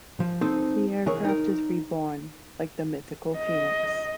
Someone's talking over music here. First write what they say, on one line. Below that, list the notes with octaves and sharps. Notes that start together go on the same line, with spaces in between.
The aircraft is reborn, like the mythical Phoenix.
F3
C4 D#4 A4 C5
C2 E3 G#4 A#4 C#5
D#4 A#4
D#5